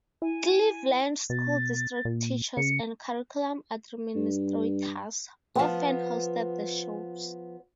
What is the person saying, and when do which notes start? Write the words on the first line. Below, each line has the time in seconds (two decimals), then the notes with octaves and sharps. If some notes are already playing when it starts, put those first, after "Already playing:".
Cleveland school district teachers and curriculum administrators often hosted the shows.
0.22 E4 G#5
1.30 B2 A6
2.05 A#2
2.57 C#3 C#7
4.15 G2
5.55 F3 B3